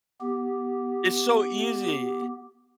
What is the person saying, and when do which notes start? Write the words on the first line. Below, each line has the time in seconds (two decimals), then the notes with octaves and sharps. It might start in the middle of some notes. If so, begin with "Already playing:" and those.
It's so easy.
0.21 B3 G4